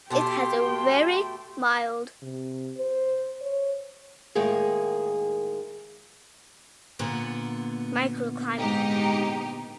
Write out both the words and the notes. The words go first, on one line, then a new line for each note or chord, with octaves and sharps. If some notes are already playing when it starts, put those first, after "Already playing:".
It has a very mild microclimate.
B2 A3 G4 G5 C6
C3
C5
C#5
A2 D#3 G#3 A#3 G#4
A#2 D3 B3
G#2 D#4 G4